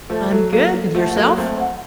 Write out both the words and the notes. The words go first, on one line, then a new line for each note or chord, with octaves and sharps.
I'm good, and yourself?
F3 A3 A4
F3
F#3 A4
F#3 A#3 A4
A4
F3 A3 F#5
A3
F#3 A#3 A4
A3 C4 C5
F#5